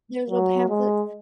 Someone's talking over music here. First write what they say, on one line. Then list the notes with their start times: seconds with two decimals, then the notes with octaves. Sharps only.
those little pamphlets.
0.30 F#3
0.69 G#3